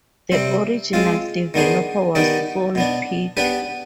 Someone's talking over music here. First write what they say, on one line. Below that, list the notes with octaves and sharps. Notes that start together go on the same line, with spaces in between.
The original developer was Saul Pick.
C3 G3 C4
G#3 C4 F4
D#3 B3 D4 G#4 C5
D#3 B3 D#4 G4 D5
B2 B3 D4
B3 D4 G4 B4